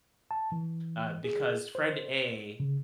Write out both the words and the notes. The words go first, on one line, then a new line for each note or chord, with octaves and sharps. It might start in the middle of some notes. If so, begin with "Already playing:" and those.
uh, because friend A
A5
E3
G#4
C5
C#3